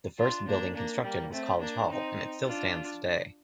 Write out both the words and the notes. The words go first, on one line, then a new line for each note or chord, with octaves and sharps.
The first building constructed was College Hall, and it still stands today.
D4 F4
A#3 D4
A#3 D4
G3 A#3
A3 C4
A#3 D4
C4 D#4
D4 F4